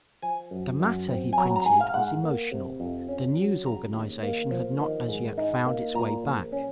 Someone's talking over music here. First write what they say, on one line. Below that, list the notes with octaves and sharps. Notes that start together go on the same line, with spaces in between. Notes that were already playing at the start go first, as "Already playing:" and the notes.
The matter he printed was emotional; the news organisation had not as yet found its way back.
F3 G#5
F#2
F#2
C4
G#5
F#3 A#5
A#5
G#2 G#5
F5
G#2 F#5
A#3
C3
F2
C#4
F#3
C#3 A#5
D#2
A#3
F3
D#3
G#2
D#4
A#3
A#2 A#5
A#1
C#4